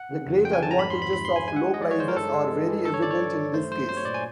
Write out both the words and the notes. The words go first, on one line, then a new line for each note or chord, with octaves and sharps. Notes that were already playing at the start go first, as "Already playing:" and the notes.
The great advantages of low prices are very evident in this case.
Already playing: F#5
C#3
F2
F2 G5
G#5
F2 A5
A#5
G#2 B5
C6
F3
B5
G#2 B5
C6
G#3
G#5
G#3 G#5
F#5
G#3
D#5
F3 D5
C#5
G#3 C5
A#4
G2 A4
G#3
E3
E3
G2 A4
C#5
G2 D5
C#5
G2
G2
A3 C5
F#3 C5
F#3 C5
C#5
A#2 D5
G#5